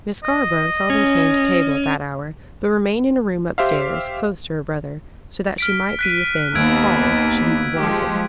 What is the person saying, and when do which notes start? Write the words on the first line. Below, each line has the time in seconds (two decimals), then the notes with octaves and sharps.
Miss Scarborough seldom came to table at that hour, but remained in a room up-stairs, close to her brother, so that she might be within call should she be wanted.
0.24 D#5
0.90 C#4
3.58 G4 C5 E5 F5
5.58 F6 B6 D7
5.99 F#6 B6 D#7
6.55 D#2 B3 E6 G#6 D7
7.75 F3 G#3 G4